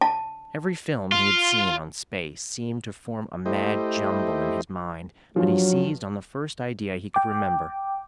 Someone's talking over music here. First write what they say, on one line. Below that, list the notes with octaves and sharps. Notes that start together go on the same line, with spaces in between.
Every film he had seen on space seemed to form a mad jumble in his mind, but he seized on the first idea he could remember.
A5
F4
A3 E4 G4 C5 D#5
G2 F3 F#3
G5 D6